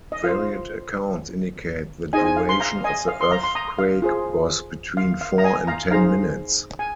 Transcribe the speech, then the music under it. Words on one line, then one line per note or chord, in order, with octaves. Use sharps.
Varied accounts indicate the duration of the earthquake was between four and ten minutes.
D#5
F4 C5 F5
D#4 G#4 C5 D#5 G#5
G#5
F5
C6
F5 A#5
D#5 G#5
F5
C6
F5 A#5
C6
A#5 D#6
F5
F4 G#4 C5
F5
F5
A#5
D#5 G#5
F5 A#5
D#4 G#4 C5 F5 A#5
G#5